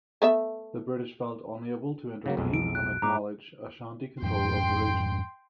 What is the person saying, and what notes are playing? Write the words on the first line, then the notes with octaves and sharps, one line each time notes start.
The British felt unable to intervene and acknowledge Ashanti control of the region.
A3 B3 E5
C#3 F#3 A#3
B1 F2 G#3
D7
F#6
G#2 A#5 D6
F2 G#2 F3 G5 C6